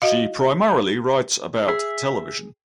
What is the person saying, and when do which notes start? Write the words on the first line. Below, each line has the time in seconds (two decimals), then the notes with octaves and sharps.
She primarily writes about television.
0.02 F#4 D#5 F5
1.68 G#4 E5